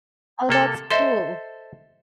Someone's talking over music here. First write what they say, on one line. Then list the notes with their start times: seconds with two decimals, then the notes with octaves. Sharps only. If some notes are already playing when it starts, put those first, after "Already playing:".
Oh, that's cool.
0.49 C3 A#3 A4
0.91 A4 C5 D#5 E5 C6